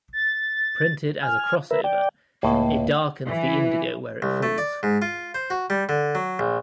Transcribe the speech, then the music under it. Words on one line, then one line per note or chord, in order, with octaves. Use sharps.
Printed as a crossover, it darkens the indigo where it falls.
A6
G#5 F6
A#4 B4 E5
D5 G5
C#2 A2 A#3
E3
C2
A3
D5
G#2
F4
C5
F#4
G3
D3
F#3
A#1